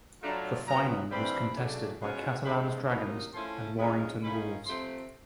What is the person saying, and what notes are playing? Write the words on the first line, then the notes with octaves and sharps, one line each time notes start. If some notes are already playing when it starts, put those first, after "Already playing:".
The final was contested by Catalans Dragons and Warrington Wolves.
A2 F#3 A3 D4 F4 A#5
A#2 F#3 B3 A#5
G2 E3 G3 C4 B5
C#3 F#3 A3 D4
B2 G#3 C#4 F4
G2 E3 G#3 C4 B5
C3 D#3 F#3 A#3 D#4 B5
F3 A3 C#4 E4 C6
A#2 F3 G#3 C#4 F4 B5
D#3 G#3 C#4 F4 B5
C3 F3 A3 C4 C6